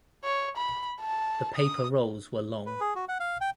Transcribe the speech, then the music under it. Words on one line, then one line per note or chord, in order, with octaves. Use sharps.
The paper rolls were long.
C#5
B5
A5
D#6
B4
G#4
F#4
F#5
F5
G5